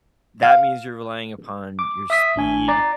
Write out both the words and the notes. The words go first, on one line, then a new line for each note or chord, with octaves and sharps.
that means you're relying upon your speed,
F5
D6
E5 D#6 B6
G#1 D4 G#5
D5 A#5